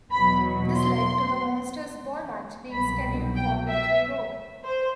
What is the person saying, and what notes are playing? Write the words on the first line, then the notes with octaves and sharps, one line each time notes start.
This led to the Monster's Ball match being scheduled for Victory Road.
E2 B2 F#3 B5
C6
C2 B2 F#3 B5
G5
E5
C5